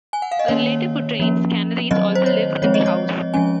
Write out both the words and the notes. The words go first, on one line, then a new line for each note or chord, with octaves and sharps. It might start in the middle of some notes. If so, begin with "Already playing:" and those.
A relative who trains canaries also lives in the house.
G#5
F#5
F5
D#5
D#3 A#3 C#4 C#5
F3 A#3 C#4
D#3 F#3 C4 D#5
C5
C#5
F3 G#3 C4 C#5
D#5
C#5
F3 G#3 C#4 G#5